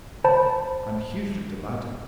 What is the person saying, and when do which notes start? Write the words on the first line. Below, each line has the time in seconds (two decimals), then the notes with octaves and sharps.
I am hugely delighted.
0.24 C5 A5 B5